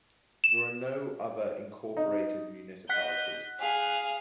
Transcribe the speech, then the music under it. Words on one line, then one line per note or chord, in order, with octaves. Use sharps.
There are no other incorporated municipalities.
E7
D#4
D#5 F#5 F#6 G6 B6
G#4 F5